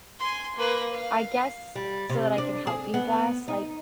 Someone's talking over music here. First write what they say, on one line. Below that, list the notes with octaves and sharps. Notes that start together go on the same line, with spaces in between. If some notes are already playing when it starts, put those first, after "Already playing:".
I guess so that I can help you best, like,
G#5 C6
A#3 B4
F5
G3
C3
D4
G#4
B3
D#4